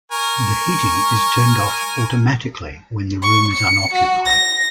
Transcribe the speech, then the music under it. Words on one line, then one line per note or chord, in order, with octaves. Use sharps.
The heating is turned off automatically when the room is unoccupied.
A#4 G#5 C#6
C#6
C#7
F#4
A#6